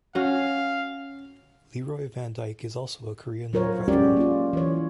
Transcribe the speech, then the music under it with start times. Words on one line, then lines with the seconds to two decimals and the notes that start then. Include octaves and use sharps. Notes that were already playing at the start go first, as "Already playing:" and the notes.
Leroy Van Dyke is also a Korean War veteran.
0.15 C#4 F#4 F5
3.53 F#3 F4 A#4 C5 C#5
3.88 G#3 C#4 F#4 G4 D5
4.17 A#3 F4
4.53 E3 C#5